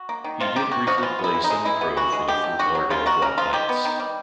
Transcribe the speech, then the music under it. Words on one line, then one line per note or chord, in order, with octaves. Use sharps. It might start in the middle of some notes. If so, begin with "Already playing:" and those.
He did briefly play semi-pro for the Fort Lauderdale Black Knights.
Already playing: F#4
A#3
D#3
C3 F4
A#3 G4
C3 F#4
F3 F#4
F#4
E3 F4
B3
E4
E3
D#4
G#3
E3 E4
B3
E3 F#4
G#3
D3 G4
A3
D3 F#4
F#3
C#3 F4
A#3 F#4
C#3 A#4
F3 F4
D#3 G4
B3
D#3
G3